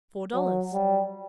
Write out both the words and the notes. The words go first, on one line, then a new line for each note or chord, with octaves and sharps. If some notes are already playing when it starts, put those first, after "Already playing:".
"Four dollars."
F#3
G3